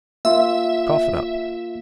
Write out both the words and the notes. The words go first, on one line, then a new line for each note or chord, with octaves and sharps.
Cough it up.
A#3 F4 E5